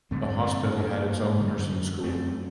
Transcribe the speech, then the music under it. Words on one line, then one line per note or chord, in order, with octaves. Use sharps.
The hospital had its own nursing school.
G2 D3 A3 C4
A3 C4
A#3 D4
F#2 D3
A3 C4